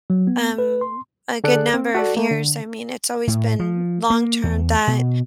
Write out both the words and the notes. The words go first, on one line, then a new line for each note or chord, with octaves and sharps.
um, a good number of years, I mean, it's always been long term that
F#3
B3
B4
C6
D3 G#4 A4 D5 F#6
C4
F#4 A4 D5
A3 A#3
D3
A2
F3
A#3
E2
B2